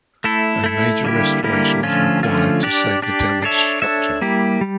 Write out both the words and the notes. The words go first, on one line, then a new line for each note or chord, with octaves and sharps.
A major restoration was required to save the damaged structure.
A3 E4 A4
A3 E4 A4
D3 G3 A#3 E4 G4
D3 G3 A#3 E4 G4
D3 F3 A3 C#4 F4
D3 F3 A3 C#4 F4
D4 G4 D5
D4 G4 D5
D4 A4 C#5 E5
D4 A4 C#5 E5
G3 A#3 E4 G4
G3